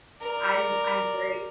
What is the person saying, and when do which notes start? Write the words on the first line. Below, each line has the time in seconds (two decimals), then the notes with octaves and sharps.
I'm I'm very
0.21 A#4 D5